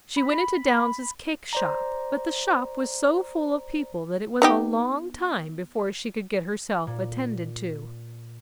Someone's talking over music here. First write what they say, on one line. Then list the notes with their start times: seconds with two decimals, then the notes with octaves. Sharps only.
She went into Downes's cake-shop but the shop was so full of people that it was a long time before she could get herself attended to.
0.16 B5
1.53 C5 D5 A#5
4.42 B3 D#4 G4
6.87 A#2